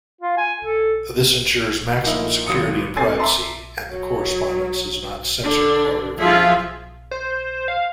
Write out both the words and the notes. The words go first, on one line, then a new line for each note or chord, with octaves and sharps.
This ensures maximum security and privacy and the correspondence is not censored or reviewed.
F4
G#5
A4
A#2 F3 A#3 D#4 E4
G#1 F#3 D#6 C#7
C4 A4 G#5 A6 C7
E5 A5 A#5 C6 D6
F#3
D3 D4
F3 F4 G#4 E5
C5
F5